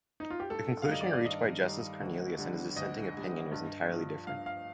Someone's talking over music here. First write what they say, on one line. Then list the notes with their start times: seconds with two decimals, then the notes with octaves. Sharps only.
The conclusion reached by Justice Cornelius in his dissenting opinion was entirely different.
0.20 D#4
0.30 F4
0.40 G4
0.50 G2 A4
0.82 F5
0.88 D#3 G3 D#5
1.01 D5
1.13 D5
1.25 G2 D#5
1.63 D#3 G3
2.00 D2
2.38 D3 G3
2.76 D2 D#5
3.14 D3 G3
3.52 G2
3.89 F3
4.27 G2 F5
4.46 F5